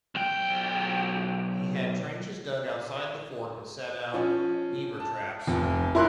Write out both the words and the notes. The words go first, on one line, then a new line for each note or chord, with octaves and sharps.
He had trenches dug outside the fort, and set out beaver traps.
B1 G5
F3 C#4
A5
F1 F2
D#1 A#1 E4 A#4 C6 F#6